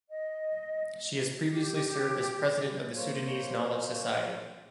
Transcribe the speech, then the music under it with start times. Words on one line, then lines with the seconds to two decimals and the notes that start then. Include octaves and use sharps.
She has previously served as President of the Sudanese Knowledge Society.
0.09 D#5
1.50 G4
2.96 A#3 C5 C#5